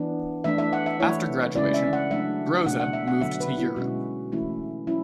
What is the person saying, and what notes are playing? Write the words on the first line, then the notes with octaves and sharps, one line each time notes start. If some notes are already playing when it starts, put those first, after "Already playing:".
After graduation, Brose moved to Europe.
Already playing: E3 B3 D4
E3 A3 D4 E5
E5
F#5
E5
E3 A3 E4 C#5
C#3 G#3 C#4 E4 D5
E5
F#5
F#3 A3 D4 E5
B2 A3 D4 F#5
F#5
E5
F#5
D3 F#3 B3 E5
B4
E4
B2 G#3 C#4 F#4
E3 A3 C#4 E4
F#3 C#4 E4